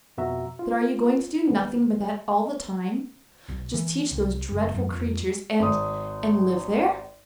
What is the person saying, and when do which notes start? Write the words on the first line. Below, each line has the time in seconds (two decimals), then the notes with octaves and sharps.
"But are you going to do nothing but that all the time--just teach those dreadful creatures, and--and live there?"
0.17 F2 B2 F#4 E5 A#5
0.59 F4
1.48 D#2 B3
3.49 B1
3.74 E3
4.12 C2
4.51 F#1
4.75 F#2
4.91 F2
5.60 G#1 D#6